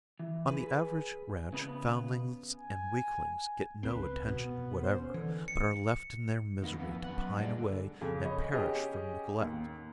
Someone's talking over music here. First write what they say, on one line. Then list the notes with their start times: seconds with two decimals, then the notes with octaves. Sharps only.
On the average ranch foundlings and weaklings get no attention whatever, but are left in their misery to pine away and perish from neglect.
0.19 E3
0.47 G#4 B4
1.53 C#3 B3 B4
2.56 G#5
3.83 C#2 C4 B4
4.28 B2 B3
4.83 C5
4.99 C#4
5.14 D3 E3
5.48 C#7
6.62 D#3 A#3 B3
6.79 F2 B3
7.04 F#2 B3 F#5
7.37 A#2 G3 G#3 D4
7.58 D3
8.01 F2 C#3
8.21 C#5 D#5 B5
8.52 C#4 G4 G#4 D#5 G5
9.41 D#2